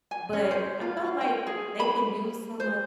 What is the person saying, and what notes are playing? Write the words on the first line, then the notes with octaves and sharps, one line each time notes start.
but, I felt like they can use some of
G#5
C#4
C5
F4
G5
G#4
B5
C5